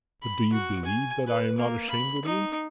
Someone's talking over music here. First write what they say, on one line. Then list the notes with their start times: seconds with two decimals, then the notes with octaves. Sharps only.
"But do you believe that I am not ashamed with you?"
0.23 B5
0.53 F#4
0.85 G#5
1.26 B4
1.58 A#3
1.90 B5
2.26 D#4